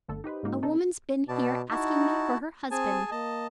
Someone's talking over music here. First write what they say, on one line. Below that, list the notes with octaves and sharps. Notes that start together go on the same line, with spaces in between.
A woman's been here asking me for her husband.
G1 D3 A3 A4
D#4 G4 B4 C5
G#2 C#3 G#3 A#3 D#4 F#4
C3 C#4 D#4 A4
B2 D5 A5
D#4 E4 F#4 A5
C4 G#4 G#5 A5
A#3 D#5 A5